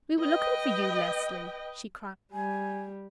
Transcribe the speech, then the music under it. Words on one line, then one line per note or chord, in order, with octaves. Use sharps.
"We were looking for you, Leslie," she cried.
B4 D#5 G5
G3 G#5